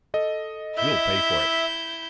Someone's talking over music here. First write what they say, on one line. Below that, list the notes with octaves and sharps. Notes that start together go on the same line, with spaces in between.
"You'll pay for it!"
A4 D#5
E4 E5 G6